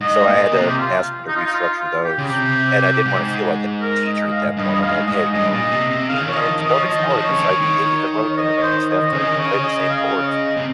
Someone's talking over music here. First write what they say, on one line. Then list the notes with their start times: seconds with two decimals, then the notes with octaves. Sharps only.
So I had to ask him to restructure those, and I didn't wanna feel like a teacher at that point, I'm like, "Hey, you know, d d don't ex don't explore this. I gave you the road map and just have to play the same chords,"
0.01 G#2 D#5
0.27 A#2 D#5
0.52 C3
0.67 G4
0.78 F4
1.28 D#4
1.36 F4
1.45 D#4
1.53 F4
1.79 F4
2.04 G4
2.18 C#3
2.30 C3 G4
3.05 G#2
3.82 A#4
4.06 D#5
4.32 F5
4.57 G2 D#5
4.75 D#5
4.82 G#2 F5
5.07 G#2 D#5
5.33 G2 D#5
5.52 A#2
5.71 C3
5.90 C3
6.09 C#3 F5
6.21 D#3
6.29 F3 C#5
6.35 D#5
6.47 D#3
6.58 D#3 D#5
6.67 F3
6.80 C#5
6.85 F3 D#5
6.99 D#3
7.10 F3
7.24 C#5
7.29 C#3
7.35 D#3
7.61 D#3
8.31 C#5
8.37 D#5
8.58 C#5
8.62 C5
8.88 D#5
9.07 C#5
9.13 C#3 D#5
9.24 D#3 D#5
9.35 C#3 C#5
9.59 C#5
9.63 D#5
9.77 D#5
9.90 F5
10.21 C#5
10.27 D#5
10.57 C3